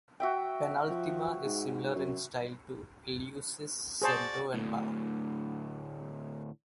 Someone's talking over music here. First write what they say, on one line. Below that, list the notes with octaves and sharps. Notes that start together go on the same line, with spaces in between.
Penultima is similar in style to Eleusis, Zendo and Mao.
F#4 E5 G5
F3
G#2
F#2
F#4 G#4 C5 D5 A5
D2 A2